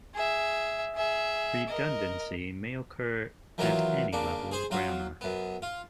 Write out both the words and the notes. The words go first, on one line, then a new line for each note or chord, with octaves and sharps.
Redundancy may occur at any level of grammar.
G#4 E5
G#4 E5
A#4 D#5
D#3 E3 F#3 B3 E4 F4
C#3 A#3 D4
G#4 C5
F#3 F4 F#4
F#2 B3
F4